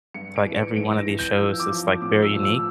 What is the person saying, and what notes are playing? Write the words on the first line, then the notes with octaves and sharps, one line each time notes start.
to, like, every one of these shows is, like, very unique.
G2 C#7
D7
E3
C#7
G2 D7
A#6
E3
G6
F3 E6
D6
F3
A2 D6
E6
F3
E6